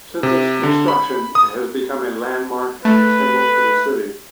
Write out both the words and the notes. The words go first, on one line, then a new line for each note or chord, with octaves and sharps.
Since its construction, it has become a landmark and a symbol for the city.
C3
D3
B5
D#6
A3 B4